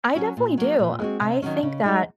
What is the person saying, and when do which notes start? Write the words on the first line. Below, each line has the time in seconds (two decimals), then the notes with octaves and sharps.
I definitely do. I think that,
0.15 F#3 C#4 F#4
0.37 A#2
0.58 F#3 A#3
0.79 A#2
0.99 G#3 C4 F#4
1.21 C3
1.42 D#3 F#3 C#4
1.63 C#3
1.84 G#3 D#4 F#4